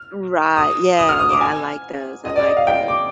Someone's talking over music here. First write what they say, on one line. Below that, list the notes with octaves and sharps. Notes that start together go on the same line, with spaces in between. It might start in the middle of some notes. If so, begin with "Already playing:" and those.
Right. Yeah, yeah, I like those, I like tho
Already playing: F6
D#6
D#6
F6
D#6
D6
G#5
D#5
D5
D#5
F5
G5
D6